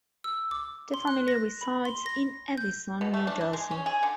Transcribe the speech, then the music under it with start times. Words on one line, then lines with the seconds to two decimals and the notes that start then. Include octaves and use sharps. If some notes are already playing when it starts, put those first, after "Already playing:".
The family resides in Edison, New Jersey.
0.24 E6
0.51 D6
0.94 C6
1.07 F#6
1.28 A#6
1.61 B5
1.85 C6
2.06 A#6
2.58 G6
3.01 B2
3.14 A3
3.27 D4
3.41 D4
3.53 G#3
3.71 C#4
3.86 G#4
4.03 D3